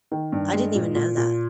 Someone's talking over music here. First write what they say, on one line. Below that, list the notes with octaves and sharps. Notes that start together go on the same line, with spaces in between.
I didn't even know that.
D#3
G2
G#3
A#2
A#2
A#2